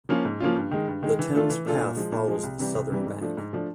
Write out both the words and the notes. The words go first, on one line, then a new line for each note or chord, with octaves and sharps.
The Thames Path follows the southern bank.
F3 A#3 C#4 F4
G#2
F3 A#3 C#4 F4
G2
D#3 G#3
G2
D#3 G#3
E3
A3 D4 F4 A4
E3
A3 D4 F4 A4
A#2
F3 G#3
A#2
F3 G#3
C2
C3 E3 G3
C2
C3 E3 G3
G#2
F3 A3 D4
G#2
F3 A3 D4